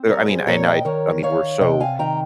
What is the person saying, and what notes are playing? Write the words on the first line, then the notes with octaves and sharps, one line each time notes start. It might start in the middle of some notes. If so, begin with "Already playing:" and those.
There I mean, and I I mean, we're so
Already playing: C4
G3 A#4 C#5
G#4 C5
A#2 A#4 C#5
D#5 G5
D#3 A#4 C#5
D#3 C#5 F5
C3 D#5 G5
F5 G#5
D#3 G5 A#5